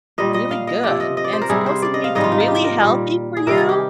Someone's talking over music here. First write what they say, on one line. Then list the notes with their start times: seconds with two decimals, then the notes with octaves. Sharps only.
really good and supposedly it's really healthy for you.
0.18 A#2 G3 D#5
0.34 D#5
0.51 F5
0.67 D#5
0.83 C3 F3 D5
1.00 D#5
1.17 D#5
1.24 D5
1.33 C5
1.42 A#4
1.50 C3 G3 G#4
1.66 C5
1.82 D5
1.94 D#5
2.04 F5
2.15 G#2 D#3 G3 D#5
2.24 F4
2.32 D#4
2.40 F4
2.48 G4
2.64 A#4
2.81 A#2 G3
3.37 G#4
3.47 C3 D#3 G3 A#4
3.57 G#4
3.69 G4